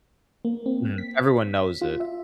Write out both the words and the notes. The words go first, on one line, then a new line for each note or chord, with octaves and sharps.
Mhm, everyone knows it.
A#3
C4
B6
F4
E5